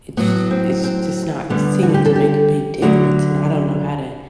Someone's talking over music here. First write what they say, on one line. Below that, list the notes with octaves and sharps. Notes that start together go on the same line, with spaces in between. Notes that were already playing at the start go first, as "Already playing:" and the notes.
it's just it's just not seeming to make a big difference, and I don't know how to
A2 F#3 B3
C4
C4
D2 D3 G3 B3
F#4
A4
G4
A4
G4
D2 D3 F#3 F#4